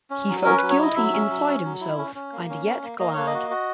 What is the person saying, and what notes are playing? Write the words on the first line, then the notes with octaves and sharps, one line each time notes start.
He felt guilty inside himself, and yet glad.
C#4
F#3
C#4 A#4
F#3 B4
C#5
E4 D#5
F#3 E5
C#4
F#3
C#4
F#3
E4
C#4
C#4
A#3
C#4
A#3
A#3
A#3 D#5
A#3 C#5
D#5
F#4
F#4